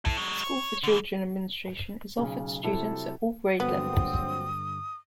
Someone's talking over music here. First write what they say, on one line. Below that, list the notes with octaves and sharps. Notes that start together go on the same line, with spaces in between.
School for Children admission is offered to students at all grade levels.
E4 A4
F#3 G#3
C#5
D3 E3
B1 C#3
C3 F#3 E4 A4 A5
A#1 G2 D3 F#3 B3 C4 D#6